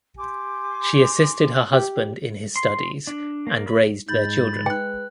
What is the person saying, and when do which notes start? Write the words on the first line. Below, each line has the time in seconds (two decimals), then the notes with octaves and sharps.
She assisted her husband in his studies and raised their children.
0.17 G4 G#5 C6 D6
1.73 G4
2.56 C6
3.07 D4
3.47 A#3
3.67 B5
4.09 G#2 G#3 B5 G6 A6
4.66 B4 G5 F#6